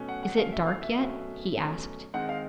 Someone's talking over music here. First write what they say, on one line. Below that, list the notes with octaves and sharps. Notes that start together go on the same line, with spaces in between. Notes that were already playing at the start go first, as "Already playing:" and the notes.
'Is it dark yet?' he asked.
Already playing: B2 F#3 A3 C#4
F#5
F#5
B2 F#3 A3 C#4 F5
E5
F5
E5
B2 F#3 A3 C#4
B2 F#3 A3 C#4
D#3 G#3 C4 D#4 F#5
F5